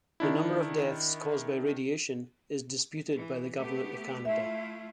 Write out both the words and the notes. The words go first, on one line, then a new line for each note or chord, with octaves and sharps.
The number of deaths caused by radiation is disputed by the Government of Canada.
D#3 D4 E4
E3
A3 B3 G4
A3 E4 F4 E5